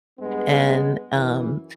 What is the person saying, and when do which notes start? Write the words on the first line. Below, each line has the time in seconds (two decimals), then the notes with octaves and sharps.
and, um,
0.19 G2 G#3 B3
1.14 F#2 E3